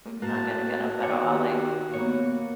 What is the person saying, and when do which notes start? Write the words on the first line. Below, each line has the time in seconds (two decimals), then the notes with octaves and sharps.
I'm not gonna get up at all, like,
0.22 A2 C3 A#3 F#4 A5
1.03 B2 D#3 C#5 D5 G5
1.27 G4
1.94 B2 A#3 B3 C#5